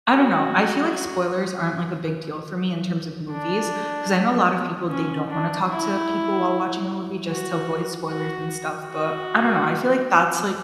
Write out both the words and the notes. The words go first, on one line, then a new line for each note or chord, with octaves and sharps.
I don't know, I feel like spoilers aren't, like, a big deal for me in terms of movies, 'cause I know a lot of people, they don't wanna talk to people while watching a movie just to avoid spoilers and stuff, but I don't know. I feel like that's like,
F#4
D4
C#4
D4
E4
F#4
F#4
F#4